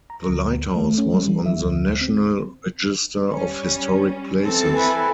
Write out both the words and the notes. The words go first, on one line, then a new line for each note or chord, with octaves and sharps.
The lighthouse was on the National Register of Historic Places.
A#5
D2
A3
C#4
G3
E3
E5
D2
C4
G3 C#4
E3 C4 A4
E4 B4 G#5